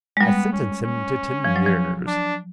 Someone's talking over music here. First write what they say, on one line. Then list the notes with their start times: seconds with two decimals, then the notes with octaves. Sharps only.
I sentenced him to ten years.
0.17 G#3
0.21 G3 B3
0.52 C#4
0.83 C#4
1.45 F3
1.56 F#3
1.66 F3
2.07 D4